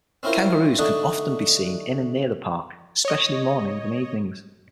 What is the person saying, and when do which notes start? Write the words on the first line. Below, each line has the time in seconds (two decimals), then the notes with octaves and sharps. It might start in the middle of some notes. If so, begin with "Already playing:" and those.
Kangaroos can often be seen in and near the park, especially mornings and evenings.
0.23 C4 C#4 E4 F4 A#4 C5
0.79 D3 A3 D4 D#4 F#4
3.05 C#5 D#5